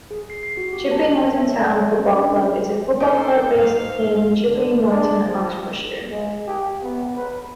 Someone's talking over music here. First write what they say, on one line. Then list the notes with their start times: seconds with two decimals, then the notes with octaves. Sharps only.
Chipping Norton Town Football Club is a football club based in Chipping Norton, Oxfordshire.
0.11 G#4
0.30 C7
0.43 C7
0.57 F#4
0.73 G4
0.91 A5
1.16 G5
1.37 E5
1.54 D5
1.80 C#5
1.99 C#4
2.18 D4
3.00 D#4 G4 A4 C5
3.55 G#2 F5
4.47 D3
4.87 D4
5.24 F3
6.11 G#3
6.47 G4
6.83 B3
7.16 B4